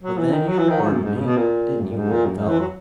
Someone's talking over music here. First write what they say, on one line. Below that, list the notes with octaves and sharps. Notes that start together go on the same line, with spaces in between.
But then you WARNED me, didn't you, old fellow?
F#3
E3
D#3
F#3
E3
D#3
G#2
F#2
G#2
B2
C#3
B2
A#2
F#2
A#2
G#2
A#2
F#2
G#2
E3
F#3